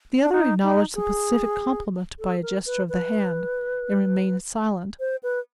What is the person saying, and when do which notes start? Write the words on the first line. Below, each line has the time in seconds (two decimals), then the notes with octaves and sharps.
The other acknowledged the pacific compliment by a gesture of the hand, and remained silent.
0.21 D4
0.32 D#4
0.63 D#4
0.95 G#4
2.19 A4
2.42 A#4
2.66 B4
2.89 B4
5.00 C5
5.23 B4